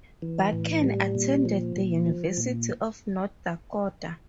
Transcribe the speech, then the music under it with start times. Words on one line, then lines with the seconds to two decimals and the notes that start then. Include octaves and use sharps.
Bakken attended the University of North Dakota.
0.22 E3
0.53 A2
0.84 G3
1.15 A#2
1.45 F3
1.76 A#2
2.06 F3
2.37 A#2